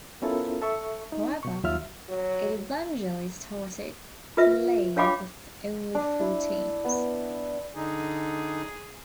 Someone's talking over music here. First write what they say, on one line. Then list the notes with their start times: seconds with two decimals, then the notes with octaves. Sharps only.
However, it eventually started play with only four teams.
0.22 B3 C#4 E4 F4 A4 A#4
0.62 A4 E5 C#6
1.12 D#4
1.43 B2 C#6
1.64 D#2 F#3 F4 E5 F6
2.09 F#3
4.37 F4 B4 E5
4.96 D4 C#5 F5 G5 B5 D6
5.95 D4
6.20 E4
6.85 B3
7.76 D3 D#4 G#4